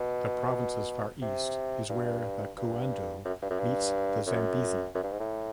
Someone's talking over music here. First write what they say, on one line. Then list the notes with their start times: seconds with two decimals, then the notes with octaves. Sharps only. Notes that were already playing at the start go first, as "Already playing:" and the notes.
The province's far east is where the Cuando meets the Zambezi.
Already playing: B2
1.22 C3
1.90 G2
2.57 G2
3.25 F#2
3.42 G2
3.50 F#2
3.59 G2
4.27 F#2
4.95 F#2
5.04 G2
5.12 G#2
5.20 A2